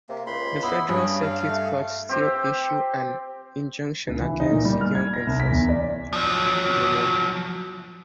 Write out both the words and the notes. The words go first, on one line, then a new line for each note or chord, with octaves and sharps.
The federal circuit court still issued an injunction against Young enforcing the law.
C3 A#3
C#2 B5 C6
B3 E4 B5
G2 C#4 G#4
F5
A3
C4 G4 C5
C#2
E3
D#4
A#2
G3
F6
G#6
A#6
C2
B6
E2
D5
F3 F#3